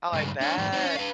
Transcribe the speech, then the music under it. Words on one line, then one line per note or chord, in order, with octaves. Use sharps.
I bet!
C#2 G2
D4 C#5
E2 G#2
C4 D#4
C#4 C#5
B4 F5